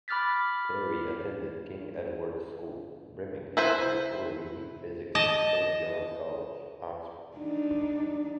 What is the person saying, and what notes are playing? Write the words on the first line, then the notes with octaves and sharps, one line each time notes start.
Perry attended King Edward's School, Birmingham before reading physics at Saint John's College, Oxford.
B5 D6 F6 F#6 A6 B6
E4 B4 C5
D#5 A5
D4 D#4